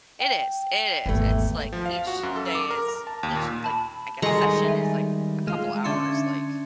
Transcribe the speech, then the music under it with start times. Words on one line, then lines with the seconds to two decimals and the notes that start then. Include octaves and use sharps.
It is it is, it's, like, each day is each, like, I guess session is, like, a couple hours, like,
0.20 G5
1.06 G#1 E2 A3
1.73 F3
1.86 F5
2.07 F#4
2.23 F#2
2.36 A4
2.55 D6
2.71 A#4
2.88 A#5
3.07 A5
3.23 D#2
3.35 A#2
3.64 A5 B5
4.22 D#3 G3 G#3 A4 G#5 A#5 C#6
4.64 E5 G#5
5.47 G#3 F4 F6
5.84 D3 C#4 D4 E5 C6 C#7